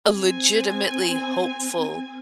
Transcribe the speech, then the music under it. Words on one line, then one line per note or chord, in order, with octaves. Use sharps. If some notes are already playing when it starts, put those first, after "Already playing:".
a legitimately hopeful,
C4 G#5